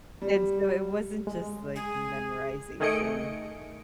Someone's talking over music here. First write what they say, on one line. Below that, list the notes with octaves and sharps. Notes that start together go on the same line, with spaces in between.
and so it wasn't just, like, memorization,
G3
G#3
G#4
D#3 A3 G#4 D#5 C#7 D7